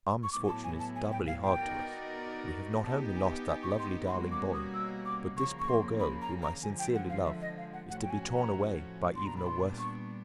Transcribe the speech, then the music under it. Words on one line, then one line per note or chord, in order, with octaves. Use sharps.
Our misfortune is doubly hard to us; we have not only lost that lovely darling boy, but this poor girl, whom I sincerely love, is to be torn away by even a worse fate.
C#6
A2 F#3 B3 E4 D6
A5
G#5
A5
G#5
G5
F5
G5
B3 D#4 F#4 A#4 D5
B3 D#4 G4 A5
G#5
G#5
C#6
C6
B5
B2 G3 A#3 C#4 F#4 C6
D6
D#6
E6
D6
C#3 F3 A#3 C#6
C#6
C6
B5
A#5
A#5
D3 F3 G#3 G#5
G5
F#5
F5
E5
D#5
F5
F#5
A2 F3 A3 C#4 F#4 F#5
G5
G#5
A#5
A#2 G3 B3 D4 C6
A#5
B5
C6
C#6